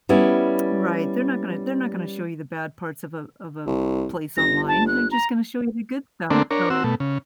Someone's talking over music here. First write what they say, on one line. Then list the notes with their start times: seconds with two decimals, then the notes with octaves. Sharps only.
Right, they're not gonna they're not gonna show you the bad parts of a of a p place online, they're just gonna show you the good stuff, so
0.09 G3 B3 C#4 E4
3.66 C2
4.37 G1 A#6
4.68 A5
4.87 F#6
5.12 A#5
6.30 D3 A3 A#3 C4 D4
6.51 D4 A#4 C#5
6.70 C4 F#4 E6
6.84 B2 A3
7.00 C#3